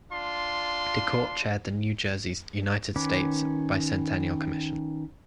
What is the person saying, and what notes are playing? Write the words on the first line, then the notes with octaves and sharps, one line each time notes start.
DeKorte chaired the New Jersey's United States Bicentennial Commission.
D4 F4 C6
D#3 C#4 B4 D6